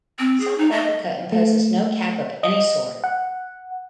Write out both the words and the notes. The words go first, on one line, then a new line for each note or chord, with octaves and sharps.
South Africa imposes no cap of any sort.
C4
G#4
D#4
D#5
A3
D#5
F#5